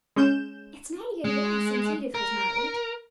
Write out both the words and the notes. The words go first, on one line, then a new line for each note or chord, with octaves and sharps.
It's nearly a year since Edith was married!'
G#3 C#4 G6 E7
G#3
A#4